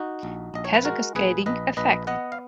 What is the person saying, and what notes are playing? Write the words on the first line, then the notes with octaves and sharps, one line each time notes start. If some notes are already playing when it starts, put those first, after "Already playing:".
It has a cascading effect.
Already playing: D#4 F#4
A#1
A#1 D#5
C#5
B4
G#3 F#4 A#4
A#1 G#4 B4
A#1 B4 D#5
A#1 B4 D#5
B3 D#5 F#5
F5